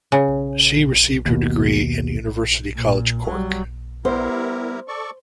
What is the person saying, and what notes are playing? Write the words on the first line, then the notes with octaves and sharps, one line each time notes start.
She received her degree in University College Cork.
C#3
D#2 B2
A#2
F#3 G3
G3 B3 E4 A#4 C5
A4 D5 C#6